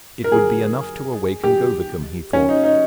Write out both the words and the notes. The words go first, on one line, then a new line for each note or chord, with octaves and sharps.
It would be enough to awaken Govicum, he thought.
A#4
G#4
G4
C#4
D#4
D#4